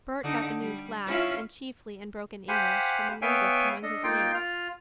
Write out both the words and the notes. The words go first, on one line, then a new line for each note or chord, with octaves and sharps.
Bert got the news last, and chiefly in broken English, from a linguist among his mates.
D3 D#4
G3
C#4 E4 F4
G4 C5 F5 F#5 G#5 B5
B3 C#5 E5 F5 G5 G#5
D4 A4 D#5
A#3 D#4 F4 G5 C6
F4 F6